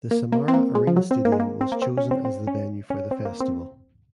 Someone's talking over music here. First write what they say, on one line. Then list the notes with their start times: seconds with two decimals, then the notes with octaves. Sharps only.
The Samara Arena stadium was chosen as the venue for the festival.
0.11 A#3
0.32 A#3
0.48 C4
0.54 A#3
0.75 G#3
0.87 F3
0.96 F#3
1.11 C4
1.25 A#3
1.32 G#3
1.40 A#3
1.61 C4
1.72 A#3
1.82 C4
1.97 C#4
2.11 C4
2.25 C4
2.47 C#4
2.90 C#4
3.11 C4
3.25 A#3
3.40 C4